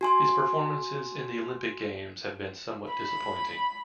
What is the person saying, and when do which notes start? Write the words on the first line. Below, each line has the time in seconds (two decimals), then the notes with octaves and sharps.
His performances in the Olympic Games have been somewhat disappointing.
0.01 F#4 G#5 C6
2.92 B5